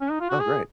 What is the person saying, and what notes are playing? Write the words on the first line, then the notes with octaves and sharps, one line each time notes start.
Oh, great.
C#4
D#4
F4
F#4
G#4